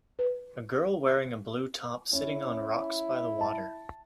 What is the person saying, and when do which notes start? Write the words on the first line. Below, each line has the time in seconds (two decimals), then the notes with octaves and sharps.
A girl wearing a blue top sitting on rocks by the water.
0.19 B4
2.13 C#4 E4
3.41 A5